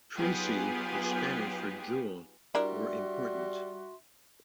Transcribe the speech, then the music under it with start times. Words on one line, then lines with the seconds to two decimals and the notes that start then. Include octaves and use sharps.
"Presea" is Spanish for "jewel" or "important".
0.16 F#3 B3 D#4 F4 G4 G#4
2.55 G3 D4 E4 F#4 A#4 E5 C6